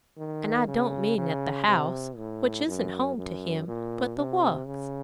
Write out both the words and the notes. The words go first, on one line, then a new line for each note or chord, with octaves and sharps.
And I don't mean at the house, which isn't home to him, but the Works.
D#3
C#3
C#3
C3
A2
F#2
F#2
A#2
C3
C#3